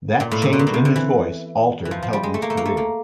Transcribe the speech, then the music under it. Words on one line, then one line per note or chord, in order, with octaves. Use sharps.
That change in his voice altered Helton's career.
A#2
A2
A#2
B2
A#2
B2
C3
D3
E3
E3
F3
F3
G3
G#3
A3
A#3
A3
A#3
A3
A#3